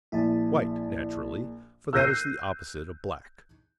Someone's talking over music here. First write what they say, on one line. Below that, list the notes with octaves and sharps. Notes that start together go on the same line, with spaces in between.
White, naturally, for that is the opposite of black.
A#1 E4 G#4 A5
E6 F#6 G6 A#6 C7 D#7